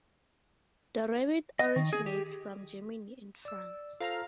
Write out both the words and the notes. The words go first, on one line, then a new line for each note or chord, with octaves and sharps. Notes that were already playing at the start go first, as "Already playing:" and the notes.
The rabbit originates from Germany and France.
D#5
D#3
G#4
G4
D5 E6
F4 A4 C5 F5 A#5 F6